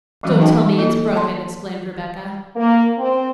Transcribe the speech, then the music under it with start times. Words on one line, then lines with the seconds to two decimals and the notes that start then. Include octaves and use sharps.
"Don't tell me it's broken," exclaimed Rebecca.
0.23 E3 F#3 G3 C#4 F#4
0.40 D#4 D#5 G5 A5
0.78 A#3 E4 F4 A4 D#5
1.16 A5 C6
2.56 A#3
2.98 C4